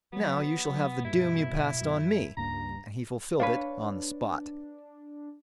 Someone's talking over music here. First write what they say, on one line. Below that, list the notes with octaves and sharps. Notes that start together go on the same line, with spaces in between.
'Now you shall have the doom you passed on me', and he fulfilled it on the spot.
F#3 B3
G2 B2 E4
F#2
C#2 G2 A#3 D4 A#5
D4 B4 C#5 F5